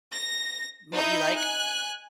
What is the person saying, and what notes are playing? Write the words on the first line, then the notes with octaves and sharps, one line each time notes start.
what you like?
A#6
D#4 E4 G6
G#5 F#6